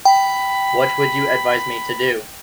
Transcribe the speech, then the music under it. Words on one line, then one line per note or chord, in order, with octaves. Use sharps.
What would you advise me to do?
G5 B5